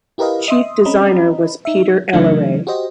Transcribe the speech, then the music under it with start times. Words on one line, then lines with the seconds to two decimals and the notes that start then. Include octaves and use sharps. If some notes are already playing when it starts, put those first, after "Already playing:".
Chief designer was Peter Elleray.
0.18 E4 G4 A#4 B4 D#5 F5
0.48 D#5 E5 C6 D#6
0.85 C4 C#4 D#5 A#5 B5
1.65 D#4 E5
2.13 C#3 E3 F#3 A3 D4 D#4
2.67 F#4 G4 C5 D#5